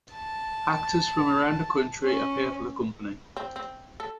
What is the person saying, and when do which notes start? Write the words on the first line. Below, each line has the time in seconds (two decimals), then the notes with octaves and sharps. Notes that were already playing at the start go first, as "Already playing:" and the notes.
Actors from around the country appear for the Company.
0.13 A5
2.03 C#4
3.37 C4
3.56 C4
4.00 A4